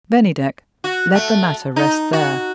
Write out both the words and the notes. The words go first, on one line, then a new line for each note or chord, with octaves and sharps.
Bennydeck let the matter rest there.
F#4
A3
D#4
F#4